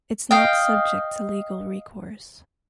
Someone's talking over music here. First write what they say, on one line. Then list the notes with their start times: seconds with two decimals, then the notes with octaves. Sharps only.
It’s not subject to legal recourse.
0.31 D#5 F5 G5